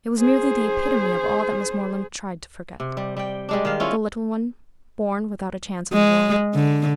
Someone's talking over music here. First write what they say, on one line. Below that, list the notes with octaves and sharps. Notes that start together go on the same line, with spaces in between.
It was merely the epitome of all that Miss Moreland tried to forget--the little one born without a chance in the world.
G#4 C5
C3
G3
G3 G5
G3 G#3 D4
D#3 F5
C#4 E4 F4
G#3
D3